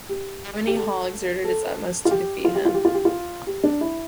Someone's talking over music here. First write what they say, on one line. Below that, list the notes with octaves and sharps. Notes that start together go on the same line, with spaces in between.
Tammany Hall exerted its utmost to defeat him.
G4
G4
A4
A4
F4
G4
F4
G4
F4
G4
F4
G4
F4
G4
D4
E4